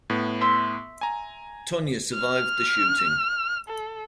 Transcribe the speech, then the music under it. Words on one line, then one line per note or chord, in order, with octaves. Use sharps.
Tonya survived the shooting.
A2 B3
E5 C6 E6
G#5 A#5
F6
A4